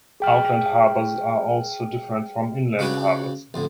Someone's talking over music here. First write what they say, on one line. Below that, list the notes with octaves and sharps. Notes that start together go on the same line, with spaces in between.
Outland harbors are also different from inland harbors.
G#4 G5 F6
C#3 D4 F#4 G4 B4 C#5
A1 F2 D3